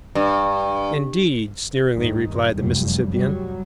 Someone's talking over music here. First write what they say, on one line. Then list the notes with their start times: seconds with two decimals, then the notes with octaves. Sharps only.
"Indeed!" sneeringly replied the Mississippian.
0.15 G2
1.96 D#2 G#2 D#3
2.28 G2
2.58 F1 C2 F#2 F3 G3
3.12 F#3 G3